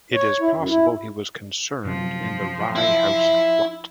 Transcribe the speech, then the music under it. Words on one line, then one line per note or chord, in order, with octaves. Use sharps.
It is possible he was concerned in the Rye House Plot.
C#5
E4
F#2
E4
F#2 C3 F3
E4 E5